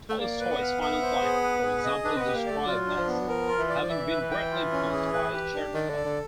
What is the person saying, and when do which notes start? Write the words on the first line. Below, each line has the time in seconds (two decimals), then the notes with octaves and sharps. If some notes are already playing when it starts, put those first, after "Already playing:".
Tolstoy's final flight, for example, is described as having been greatly influenced by Chertkov.
0.09 A3
0.20 A#3 D5
0.40 B4
0.50 B3
0.61 F5
0.81 B3 E5
1.02 C5
1.22 G#4
1.43 B4
1.64 G#4
1.84 D#5
2.04 D4 B4
2.17 C4
2.20 B3
2.25 G4
2.35 A#3
2.46 D5
2.51 A3
2.66 F#3 F4
2.87 D4
2.98 F3
3.07 B3
3.20 F#3
3.27 F3 A#4
3.49 F4
3.59 E3
3.69 D5
3.81 F3
3.90 E3 E5
4.10 B4
4.21 E3
4.31 G5
4.51 F4
4.72 C#4
4.92 G#4
5.13 B4
5.33 G4
5.54 D4
5.74 D#3 D5
5.90 D3
5.95 A4
6.05 D3